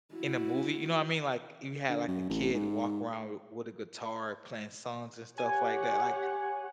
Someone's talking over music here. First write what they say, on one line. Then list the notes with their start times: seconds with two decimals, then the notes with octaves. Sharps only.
in a movie. You know what I mean? Like, you had, like, a kid walk around with a guitar playing songs and stuff like that. Like,
0.14 E4 F#4
1.89 D3
2.08 F#2
2.29 A1
2.54 G#2
5.38 G4 C#5 F#5 G#5